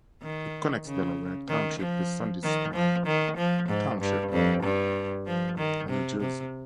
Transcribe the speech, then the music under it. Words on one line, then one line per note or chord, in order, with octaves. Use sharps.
It connects Delaware Township with Sandyston Township, New Jersey.
D#3
C#3
D#3
F3
D#3
F3
D#3
F3
G#2
G2
F2
G2
F3
D#3
C3
C3